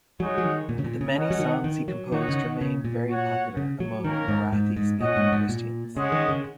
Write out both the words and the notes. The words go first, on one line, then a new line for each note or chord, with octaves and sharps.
The many songs he composed remain very popular among Marathi speaking Christians.
F#3 G#3 D#4 G#4 C#5 F#5
F#3
D#3
A#2
C#3
A#2
C#3
C#4 A#4 D#5 F#5
F#3
D#3
D#3
F#3
D#3 D#4 F#4 C#5 F#5
C#3
D#3
C#3
A#2
F#4 C#5 F#5
C#3
F#3
D#3 A#3 C#4 A#4
G#2
G#2
G#2
A#2 C#4 F#4 D#5 F#5
G#2
G#2
A#2
C#3 G#3 C#4 G#4 D#5 F#5
D#3
C#3